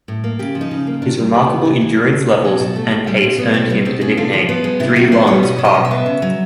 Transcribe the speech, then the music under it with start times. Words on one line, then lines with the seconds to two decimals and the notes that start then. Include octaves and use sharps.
His remarkable endurance levels and pace earned him the nickname "Three-Lungs" Park.
0.08 A2
0.24 A#3
0.39 C#3 G4
0.55 F3
0.61 D#4
0.71 C#3
0.87 A#3
1.02 D#3 D4
1.18 G3 D#4
1.34 D#3 G4
1.49 B3
1.65 C3
1.81 E3
1.97 C3
2.13 A3
2.29 B2
2.44 F#3
2.60 B2
2.76 A3
2.91 A#2
3.07 G3
3.23 A#2
3.38 B3
3.54 B2 C4
3.70 G3 B3
3.85 B2 C4
4.01 B3 C#4
4.17 D3 F4
4.33 F3
4.49 B3
4.64 G#3
4.80 C3 E4
4.96 D#3 F#4
5.12 B3 C5
5.27 G3 C#5
5.43 B2 D#5
5.58 F#3
5.65 D#5
5.75 B2
5.85 E5
5.91 B3
6.06 C#3
6.22 F#3